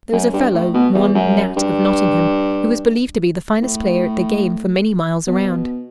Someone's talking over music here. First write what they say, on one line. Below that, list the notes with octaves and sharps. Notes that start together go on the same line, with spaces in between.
There was a fellow, one Nat of Nottingham, who was believed to be the finest player at the game for many miles around.
F#2
G2
A2
B2
E2
F#2
G2
A2
B2